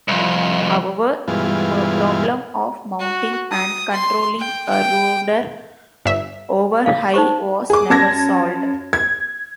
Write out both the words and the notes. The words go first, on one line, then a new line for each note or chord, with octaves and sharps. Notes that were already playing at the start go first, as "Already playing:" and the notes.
However, the problem of mounting and controlling a rudder over high was never solved.
C2 F2
G2 B2 E3 G#3 F4
F#4
D#6
C6
G5
G5
G1 E5
F5
D#4 C5 C#6
G#4 D6
F#2 A5 G#6 A#6
G#6